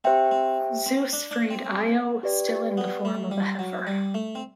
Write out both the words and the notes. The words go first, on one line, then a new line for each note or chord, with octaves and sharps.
Zeus freed Io, still in the form of a heifer.
C4 G4 C5 E5 G5
C4
C4
D4
D4
C4
G4 B4 D5 G5
B3
A3
G3
F#3
G3
A3
C4